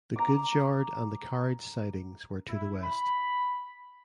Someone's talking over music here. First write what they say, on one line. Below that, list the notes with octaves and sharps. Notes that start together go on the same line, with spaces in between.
The goods yard and the carriage sidings were to the west.
A#5 D6
E4
B5